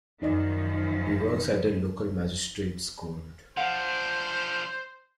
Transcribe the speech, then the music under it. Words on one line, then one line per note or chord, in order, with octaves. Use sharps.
He works at the local magistrate’s court.
F#2 D#3 F3 D#4 D5 D#5
F3 D4 C5 F5 F#5